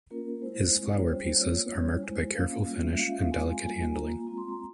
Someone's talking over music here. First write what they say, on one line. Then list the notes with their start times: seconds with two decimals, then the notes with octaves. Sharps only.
His flower pieces are marked by careful finish and delicate handling.
0.11 A#3 C#4 F4 A#4
0.42 G#3 E4 C5
0.74 G#3 C4 E4
0.94 C#5
1.07 G3 C#4 F4 C5
1.39 A#3 F4 C#5
1.70 G3 C#4 E4 C#5
2.03 G#3 E4 C5
2.34 A#3 C#4 F4 F5
2.67 G3 A#3 C#4 F4
2.83 E5
2.99 G#3 C#4 F4 F5
3.09 E5
3.21 F5
3.32 G#3 C4 F4 G#5
3.63 G3 A#3 F4 G#5
3.95 A#3 F4 A#5
4.27 G#3 C4 F4 A#5
4.38 C6
4.49 A#5